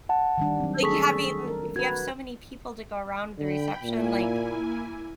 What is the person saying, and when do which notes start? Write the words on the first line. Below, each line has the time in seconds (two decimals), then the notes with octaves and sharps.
like you having if you have so many people to go around the reception, like,
0.09 F#5 A5
0.38 D#3 G3 D4
0.60 F#3 C4
0.83 A3 G#4 A4 C#6 B6
1.47 A#4
1.76 F#4 B4 G#6
3.38 D3 G5 B5
3.83 A#2 A#3 E4 G#5